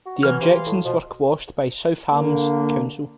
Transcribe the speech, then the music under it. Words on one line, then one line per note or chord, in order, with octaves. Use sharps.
The objections were quashed by South Hams council.
F#4
E3 F#3 F6
C3 F5 C6
A2
B2 F3
D3 A#3